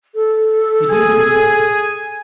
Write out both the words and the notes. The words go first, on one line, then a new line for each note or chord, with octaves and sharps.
"He did," agreed Breton.
A4
G#4 G#5